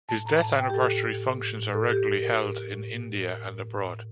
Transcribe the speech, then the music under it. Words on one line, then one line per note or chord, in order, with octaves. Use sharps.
His death anniversary functions are regularly held in India and abroad.
A2 A5
A2 A#5
A2 A5
A2 G5
G4
A2 A4
A2
A2
A2
A2
A2
A2 A4
A2 G4
A2
A2 A#4
A2
A2
A2
A2
A2
A2 A#4
A2
A2
A2
A2